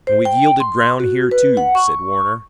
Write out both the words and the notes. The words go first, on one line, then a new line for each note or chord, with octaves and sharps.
"And we've yielded ground here, too," said Warner.
C5
G5
C6
F#4
B4
F#5
C#6